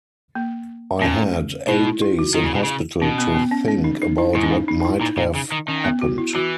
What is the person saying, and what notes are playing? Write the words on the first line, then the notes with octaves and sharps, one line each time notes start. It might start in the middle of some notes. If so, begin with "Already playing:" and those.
I had eight days in hospital to think about what might have happened.
A#3
A#2 C#4
B2 E4
E4
E4
F#4
D#3 E4
C#3
B2
C#3
B2 C#4
B3
B3
C#4
C#4
D#4
D#4
E4
G#2 E4
C#4
D#4
D#4
D#4
E4
A#2 D#4
A#2
C#3
D#3
D#3 C#4
B3
F#4
E4
E3 F#4